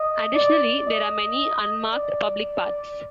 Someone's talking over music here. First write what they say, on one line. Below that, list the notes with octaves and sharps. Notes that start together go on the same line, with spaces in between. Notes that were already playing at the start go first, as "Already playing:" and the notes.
Additionally, there are many unmarked public paths.
Already playing: D#5
D5
D#5
D5